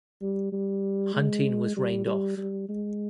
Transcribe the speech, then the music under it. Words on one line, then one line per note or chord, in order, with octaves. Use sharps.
Hunting was rained off.
G3
G3
G#3
G3
G3
G3
G#3